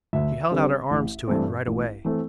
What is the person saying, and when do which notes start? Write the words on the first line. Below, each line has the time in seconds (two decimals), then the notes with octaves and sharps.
She held out her arms to it right away.
0.13 D2 E5
0.51 D3 G3 C4
0.90 A1
1.28 G2 E3 A3 C4
1.67 A1
2.05 E3 A3 C4